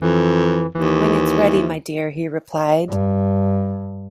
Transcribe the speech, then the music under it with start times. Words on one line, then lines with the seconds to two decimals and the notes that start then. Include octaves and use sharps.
"When it's ready, my dear," he replied.
0.02 F2 E3
0.75 D#2 E3
2.88 G2